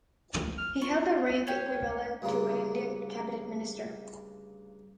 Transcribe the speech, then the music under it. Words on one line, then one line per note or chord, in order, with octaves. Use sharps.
He held the rank equivalent to an Indian Cabinet Minister.
F6
F4 C#6
C4
G4 C#5 F5
D2 G2 C#3 A#3 F4